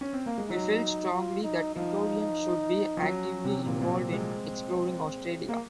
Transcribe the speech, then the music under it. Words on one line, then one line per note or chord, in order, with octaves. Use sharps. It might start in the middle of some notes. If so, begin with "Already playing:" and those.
He felt strongly that Victorians should be actively involved in exploring Australia.
C#4
C4
A#3
G#3
F#3 D#4
F4
D#4
F3 D#4
F3
F#3 C#4
C3
A#2 C4
A#2
F3
G#3
A#3